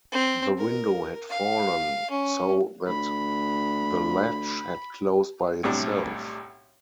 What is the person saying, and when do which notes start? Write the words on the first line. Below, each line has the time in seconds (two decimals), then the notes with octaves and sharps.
The window had fallen so that the latch had closed by itself.
0.12 C4
0.57 A#4
1.29 F5
2.10 C#4
2.88 D2 B5
5.63 B1 A2 C3 G3 D4